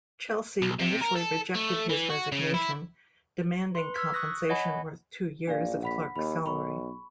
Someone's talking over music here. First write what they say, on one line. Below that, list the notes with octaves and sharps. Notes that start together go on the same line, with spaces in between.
Chelsea initially rejected his resignation, demanding compensation worth two years of Clarke's salary.
B1
C3
A#4
A4
A3
E3
F#4
C#3
E4
B4 C6
E6 F6 G#6 B6
C#6 D#6 F#6 A#6
C#5 D#5 F#5 G#5 B5
A#1 D4 D5 F5
F#5 B5 B6
D#2 B5
B1 B5 C#6